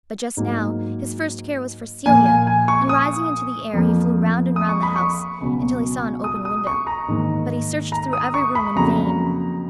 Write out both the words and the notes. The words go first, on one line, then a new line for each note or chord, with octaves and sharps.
But just now his first care was for Celia, and rising into the air he flew round and round the house, until he saw an open window; but he searched through every room in vain.
G#2 F#3 A#3
A#2 F3 A#3 G#5
G#5
G#5
C#6
D#6
F2 F3 A#3
D#6
C#6
B5
C#6
C#2 B2 F#3
D#6
D#6
C#6
A#5
G#2 D#3 A#3
A#5
D#6
C#6
B5
F2 C#3 F#3 A#3 A#5